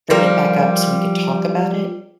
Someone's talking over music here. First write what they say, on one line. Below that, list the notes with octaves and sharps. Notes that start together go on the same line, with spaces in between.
bring it back up so we could talk about it
F3 G3 A#4